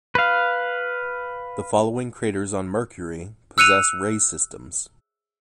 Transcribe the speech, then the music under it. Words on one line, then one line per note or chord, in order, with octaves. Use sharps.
The following craters on Mercury possess ray systems.
B4 F5
E6 F#6 C#7 D#7 F7